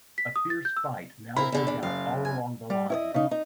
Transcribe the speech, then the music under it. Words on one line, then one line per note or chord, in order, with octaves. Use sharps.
A fierce fight now broke out all along the line.
B6
D#6
A6
G6
E6
C4 E4 A#4 B5
E2 D3 A4
E2 D4
F#1 F5
G#5
G3
E4 C#5 D#5
C#3 D#4
D#4